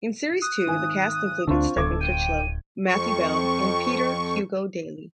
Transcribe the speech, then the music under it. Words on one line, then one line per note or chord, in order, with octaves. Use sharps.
In series two the cast included Stephen Critchlow, Matthew Bell and Peter Hugo-Daly.
D#6 F#6
G#1 G#5
D2 D3 C4 D4 F4 C#6
D1 G1 A4 D6 G#6
G5 D#7
F2 C#6